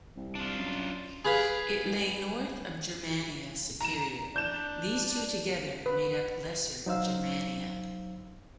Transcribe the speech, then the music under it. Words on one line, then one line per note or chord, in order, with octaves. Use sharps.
It lay north of Germania Superior; these two together made up Lesser Germania.
C2
D4 F4
F#2
G#4 B4 F5 B5
A#5 E7
D4 G6 E7
B4
F#3 D#4 C5 F5 E6